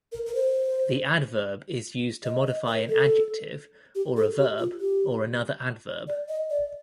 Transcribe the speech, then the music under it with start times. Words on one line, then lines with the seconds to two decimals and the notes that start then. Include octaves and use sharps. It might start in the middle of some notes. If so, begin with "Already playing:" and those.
The adverb is used to modify an adjective, or a verb, or another adverb.
0.12 A#4
0.26 A#4
0.35 C5
2.25 D#5
2.46 D#5
2.67 A#4
2.89 A4
3.95 G4
4.17 A4
4.38 G4
4.59 F4
4.80 G4
6.07 D5
6.28 D#5
6.50 D5